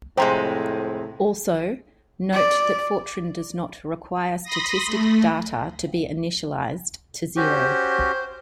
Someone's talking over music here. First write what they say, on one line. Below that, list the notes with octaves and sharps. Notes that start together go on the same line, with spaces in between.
Also, note that Fortran does not require static data to be initialized to zero.
F2 A2 C3 G#3 C5 G5 A#5
D5
B5 C6 D#6 A#6
A3
C#4 F#4 G4 C5